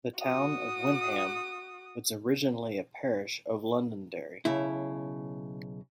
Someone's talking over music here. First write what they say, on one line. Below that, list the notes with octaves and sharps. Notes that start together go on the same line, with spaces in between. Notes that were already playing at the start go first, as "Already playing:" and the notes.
The town of Windham was originally a parish of Londonderry.
F#4 D#6
B1 C#3 E4